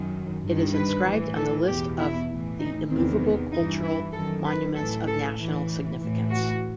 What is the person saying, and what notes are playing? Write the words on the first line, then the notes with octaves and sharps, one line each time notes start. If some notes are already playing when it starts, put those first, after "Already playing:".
It is inscribed on the list of the Immovable Cultural Monuments of National Significance.
Already playing: F#2 D#3
G2 D#3
B4
A2 E3
A4
E2 B2 G4
E4
A2 E3
D#4
E2 C3 D#3 C4
B3
G2 E3 D#4
E4
F#2 D#3 A4
B4
A2 E3 A4
A4
A2 E3
A2 E3
F#4